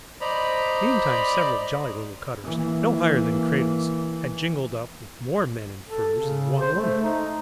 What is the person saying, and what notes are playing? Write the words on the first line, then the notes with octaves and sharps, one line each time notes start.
Meantime several jolly little cutters, no higher than cradles, had jingled up with more men in furs and one woman.
C5 D5 D#5 A#5 B5
E3 A#3
A4
C#3
C5
A3
D#4